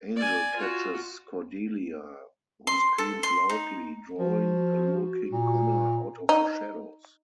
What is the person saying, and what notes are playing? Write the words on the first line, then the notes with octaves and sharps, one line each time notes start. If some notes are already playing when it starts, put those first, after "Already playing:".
Angel catches Cordelia, who screams loudly, drawing a lurking Connor out of the shadows.
D5 G#5
F4 F#4
C6
A4
C6
D#4
F3 F#4
A#2
D#4